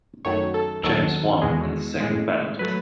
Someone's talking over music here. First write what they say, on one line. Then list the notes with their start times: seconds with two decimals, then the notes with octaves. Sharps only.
James won on the second ballot.
0.25 F#2 D#3 F#3 A3 C#5
0.54 A4
0.83 D#2 D#3 F#3 A4
1.42 E2 B2 G#3
2.00 A2 G#3
2.59 F#3 A3 B4